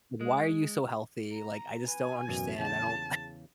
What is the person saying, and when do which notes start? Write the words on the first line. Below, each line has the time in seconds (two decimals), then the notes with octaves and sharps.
Why are you so healthy, like, I just don't understand." I don't
0.21 G#3
1.32 A#5
1.88 B4 G#5
2.29 A1 F#2 B2
2.58 E2 C#3 G5 A5